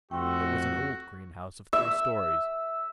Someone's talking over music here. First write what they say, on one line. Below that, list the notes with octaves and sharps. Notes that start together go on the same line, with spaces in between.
It was an old green house of three storeys.
F2 A3 F#4 G5 C6 E6
E5